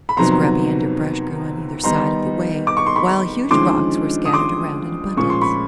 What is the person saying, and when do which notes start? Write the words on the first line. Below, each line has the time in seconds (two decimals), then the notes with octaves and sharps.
Scrubby under-brush grew on either side of the way, while huge rocks were scattered around in abundance.
0.09 B5
0.17 F2 C3 D#3 F#3 B3 A#5 C6
1.84 D#2 D#3 G3 B3 D#4 A#5 C6
2.67 D6
2.77 C#6
2.86 C6
2.96 B5 C#6
3.50 D#2 D3 F3 G#3 C#4 C6 D6
4.25 D#6
4.33 C6 D6
5.17 A#2 F3 G#3 C#4 C#6
5.30 C6
5.42 B5 C#6